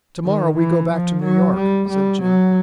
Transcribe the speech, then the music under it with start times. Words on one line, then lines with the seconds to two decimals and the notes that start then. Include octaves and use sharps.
"To-morrow we go back to New York," said Jim.
0.25 D#3
0.57 E3
0.90 F3
1.23 F#3
1.56 G3
1.89 G3
2.22 F#3